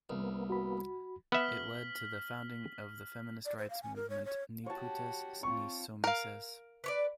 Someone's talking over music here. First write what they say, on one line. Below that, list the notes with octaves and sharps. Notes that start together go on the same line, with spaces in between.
It led to the founding of the feminist rights movement Ni Putes Ni Soumises.
C2 A#3 B3
F#4 B5
B3 E5 F6 B6 F#7
D5
C5
F5
G#5
A#4
C#5
C#5
F#4 G4 C#5 A5
C4 F4 C#6
A#4 F5
B4 C#5 D5